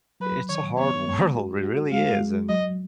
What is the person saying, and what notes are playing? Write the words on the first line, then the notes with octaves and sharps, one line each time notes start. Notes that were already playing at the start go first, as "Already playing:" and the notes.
it's a hard world. It really is, and,
F#3 B4
D#3 C#5
B3 C#5
G#3
F#4
F#4
G#3 F5
G#3
F#3 D#5